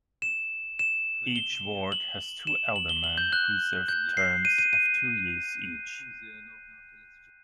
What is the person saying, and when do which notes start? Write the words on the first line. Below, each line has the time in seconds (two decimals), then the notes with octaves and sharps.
Each Ward has two alderman who serve terms of two years each.
0.22 E7
0.79 E7
1.36 G7
1.92 F#7
2.47 E7
2.76 F#7
2.89 G7
3.04 F#7
3.18 G6
3.33 F#6
3.89 G6
4.17 C7
4.45 D#7
4.58 D#7
4.73 D#7